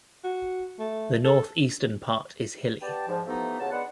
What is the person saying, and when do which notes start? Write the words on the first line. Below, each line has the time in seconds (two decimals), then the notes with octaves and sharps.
The north-eastern part is hilly.
0.24 F#4
0.79 A3
1.24 A4
2.81 B3 G4 D5 G5 A5
3.07 G#2 F3
3.26 E3 F3 A3 B3 D#4 G4
3.59 C#2 C#3 F#4 A5
3.71 G#3 B3 D4 F#5